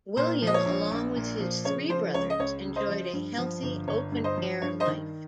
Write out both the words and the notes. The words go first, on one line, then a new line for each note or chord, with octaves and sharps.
William along with his three brothers enjoyed a healthy open-air life.
A#2 C5
F3 D#5
C#5
A#1
A#1
A#2
F3
C#3 C#5
F3 C5
C#2 C#5
D#5
C#2 C#5
C#3
C5 D#5
F3
G2
F3
G1
G1 C#5
G2
C5 D#5
F3
G2 C#5
C5 D#5
D#3